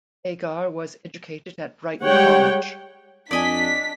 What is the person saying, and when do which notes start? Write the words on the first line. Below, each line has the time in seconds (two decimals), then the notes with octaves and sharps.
Agar was educated at Brighton College.
2.03 G3 G#3 C#5 F#5 G5
3.31 F2 D4 D5 D#5 G#5 B6